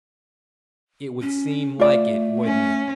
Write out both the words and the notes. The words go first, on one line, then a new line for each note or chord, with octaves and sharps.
"It would seem like it, wouldn't it."
C#4
A3 F4 D5
C#4